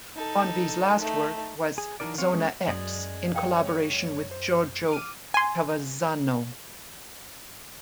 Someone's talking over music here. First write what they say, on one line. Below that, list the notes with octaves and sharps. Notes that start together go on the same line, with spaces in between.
Bonvi's last work was "Zona X", in collaboration with Giorgio Cavazzano.
D#4 A4
A3 D#4
G#4
E3 F#3 D4 D#4 A#4 D5
C4 C#5 F5
G#3 C#4 G#4
F#2 G#3 D5 D#6
F5 G5
C#5
C5
D6 F6 D#7
G#5 C6